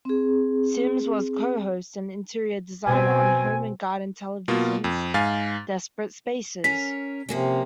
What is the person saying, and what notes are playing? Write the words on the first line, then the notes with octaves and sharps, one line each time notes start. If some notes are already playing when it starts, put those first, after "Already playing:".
Simms was a co-host and interior designer on Home and Garden Television's "Desperate Spaces".
C4 G#4
B2 C4 G#5
B2 A#3 F4
F2
G#2 F5 G#5 A6
C#4 A#4 B6
C3 F3 A#3 C#4